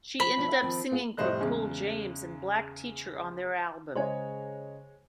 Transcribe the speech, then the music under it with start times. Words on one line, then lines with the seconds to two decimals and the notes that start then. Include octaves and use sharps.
She ended up singing for Cool James and Black Teacher on their album.
0.20 F3 B5
0.36 B2 F3 D4
0.48 E5 F#5
0.62 D#3 F3 C4
0.92 B3 F4 G#4
1.17 F1 A2 G3 C5 D#5 F#6
1.40 E2 C#3 G#3
3.95 C#3 G#3 C5 C#5 D#5 G#5